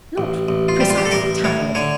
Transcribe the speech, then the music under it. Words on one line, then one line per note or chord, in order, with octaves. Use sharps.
'Not precisely tired.
A1
A1
F4
G3 G4
F4
G4
A4
A1 A#4
A2 C#5
D3 C#5